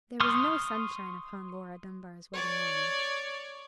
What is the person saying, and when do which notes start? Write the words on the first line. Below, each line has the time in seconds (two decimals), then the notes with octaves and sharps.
There was no sunshine upon Laura Dunbar's wedding morning.
0.20 C6 C#6 D#6 F6
2.33 C#5 D5